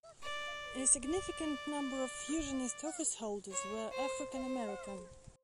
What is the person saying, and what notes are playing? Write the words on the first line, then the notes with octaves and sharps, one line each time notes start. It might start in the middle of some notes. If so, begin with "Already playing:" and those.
A significant number of fusionist officeholders were African American.
D5
D5
C#5
C5
C5